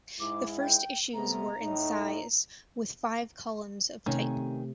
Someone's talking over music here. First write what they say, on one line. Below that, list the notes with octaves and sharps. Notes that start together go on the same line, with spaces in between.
The first issues were in size, with five columns of type.
G#2 G#3 E4 D6
G5
C3 A3 B3 A#5
A2 D#4
C3 D#3 A3 C#4